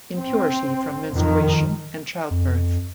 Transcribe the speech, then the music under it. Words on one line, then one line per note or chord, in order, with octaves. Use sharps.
Impurity from menstruation and childbirth.
C4
F2 D#3
F2